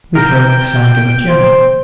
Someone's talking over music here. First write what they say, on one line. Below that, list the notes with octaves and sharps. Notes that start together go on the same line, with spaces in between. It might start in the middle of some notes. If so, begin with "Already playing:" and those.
We heard the sound of a piano.
A#4 G5
C5